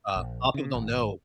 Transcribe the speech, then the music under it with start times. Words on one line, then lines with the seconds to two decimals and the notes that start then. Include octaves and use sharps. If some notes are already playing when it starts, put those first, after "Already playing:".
Uh, lotta people don't know
0.16 A#1
0.54 C#3
0.75 G#1